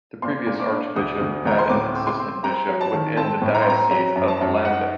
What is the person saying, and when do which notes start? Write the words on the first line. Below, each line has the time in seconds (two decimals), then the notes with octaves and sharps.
The previous archbishop had an assistant bishop within the Diocese of Llandaff.
0.22 A#2 C6
0.47 A#2
0.60 D6
0.71 D4
0.96 D2 D#6
1.21 D2
1.45 D2 A#5
1.59 C6
1.70 A2 D6
1.95 C4
2.07 C6
2.20 C4
2.43 C4 A#5
2.69 F#3
2.81 A5
2.93 D#3
3.17 C4 A5
3.42 A2
3.55 A#5
3.62 C6
3.67 C4 A#5
3.91 F#3 A#5
4.16 F#2
4.28 A5
4.41 F#2
4.65 D#4 F#5